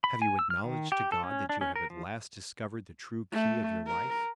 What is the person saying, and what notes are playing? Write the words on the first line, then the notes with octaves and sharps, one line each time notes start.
Have you acknowledged to God that you have at last discovered the true key of your life?
B5
G#5
E6
F6
D#3
G4
A4
C#4
D4
C#4
A#4
F3
A3
A#4